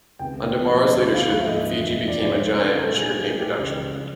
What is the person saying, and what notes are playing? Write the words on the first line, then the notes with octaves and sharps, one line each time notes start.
Under Mara's leadership, Fiji became a giant in sugarcane production.
C#2 C3 D#3 G#3 B3 G5
A2 F3 A#3
D2 D3 G3 B3
F5
G#2 F3 A#3 F5
E5
D#5
E5
E2 C#3 E3
F#2 D3 F3 A3 D5
D5
C#5
F2 C#3 F#3 A3 C5
A4
A#4
A#2 F#3 A3 A4
G#4
G4
A2 F#3 A3 G#4
G4
C#2 C#3 E3
C#3 F3